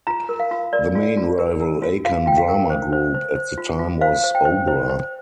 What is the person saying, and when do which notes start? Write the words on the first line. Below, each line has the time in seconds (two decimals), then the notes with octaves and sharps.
The main rival Akan drama group at the time was Obra.
0.07 F4 A#5
0.29 A#4
0.40 F5
0.51 F4
0.73 A#4 D5
0.95 F4
1.17 F4
1.39 A#4
1.60 A#4
1.82 F4
2.05 F4 F5
2.26 F4 G5
2.37 F5
2.48 A#4
2.70 C5
2.93 C5
3.14 C5
3.35 C5
3.58 F4
3.79 F4
4.01 C5 F5
4.24 C5
4.35 G5
4.45 C5
4.68 C5
4.90 C5